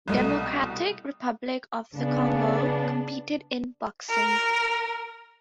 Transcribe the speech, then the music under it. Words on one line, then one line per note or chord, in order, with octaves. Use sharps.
Democratic Republic of the Congo competed in boxing.
C2 B2 G3 A3 D#5 D#7
C#3 B3 D4
A#4